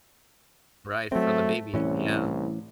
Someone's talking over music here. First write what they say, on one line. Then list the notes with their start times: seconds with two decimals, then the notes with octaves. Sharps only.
Right, for the baby, yeah.
1.12 F#3 A3 C4
1.74 C2 A2 E3 C#4